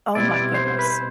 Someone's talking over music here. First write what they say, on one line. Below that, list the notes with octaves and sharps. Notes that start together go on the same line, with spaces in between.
Oh my goodness.
B2 G3 C4 E4 D5
D5
C5
C5
B4
C5